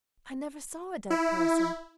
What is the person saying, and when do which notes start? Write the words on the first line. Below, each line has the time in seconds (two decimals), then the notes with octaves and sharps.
'I never saw a dead person.
1.10 E4